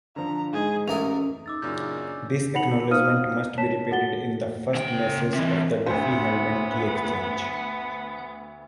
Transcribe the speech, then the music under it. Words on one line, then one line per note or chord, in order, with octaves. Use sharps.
This acknowledgement must be repeated in the first message of the Diffie-Hellman key exchange.
D3 F3 A#5
G#2 G#4 D#5
A1 A3 C#4 G#4 A#4
D#4 D6 E6 A6
F#2 A#2 C#3 C#4 D4 G6
D#4 F#5 B5 C#7 F7 F#7
D#4 C5 F5 D#6 F6 D#7
C#5 A5 B6 E7
F#4 A4 F#5 A6 G7
C#3 G5
C3 E3
D2 B3 C5